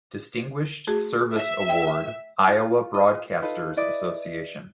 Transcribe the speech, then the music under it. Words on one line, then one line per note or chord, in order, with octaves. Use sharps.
Distinguished Service Award, Iowa Broadcasters Association.
A3 F#4 G#4
E5
G5
F4
F4 D#5
D#4 F4 A4 B4
E4 B4 D5 D#5